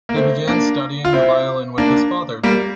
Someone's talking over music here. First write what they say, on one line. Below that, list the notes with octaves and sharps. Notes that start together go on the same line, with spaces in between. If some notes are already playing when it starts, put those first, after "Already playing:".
He began studying the violin with his father.
A#3
A3 C4
A#3 D4
F4
C4 E4
A#3 D4
G3 A#3